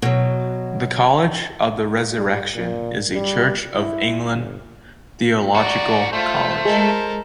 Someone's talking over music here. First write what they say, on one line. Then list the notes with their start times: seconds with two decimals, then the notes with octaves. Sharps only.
The College of the Resurrection is a Church of England theological college.
0.02 B2 F#3
2.17 G3
2.54 A#2
3.13 G3
3.75 E4
4.32 G1
5.55 D#3 F#4 D5 A#5 C#6
6.13 A3 F4 C5
6.65 G#3 A4 A#4